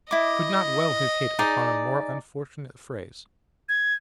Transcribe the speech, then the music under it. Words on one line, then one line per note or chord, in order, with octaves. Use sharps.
He could not well have hit upon a more unfortunate phrase.
E4 D#5 D6
D#4 G#4 D5
G#6